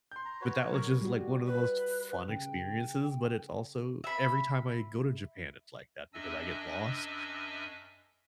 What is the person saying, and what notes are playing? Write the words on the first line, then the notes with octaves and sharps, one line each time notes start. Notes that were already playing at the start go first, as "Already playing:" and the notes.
but that was just, like, one of the most fun experiences, but it's also, every time I go to Japan, it's, like, that because I get lost,
C6 G6
A#5
F#4 B4 C#5
F#3 A#4 C#6 G#6
G3 F#4
B4
C#3 G5
E5 B5
F#2 D4 D#5 E5 G#5 E6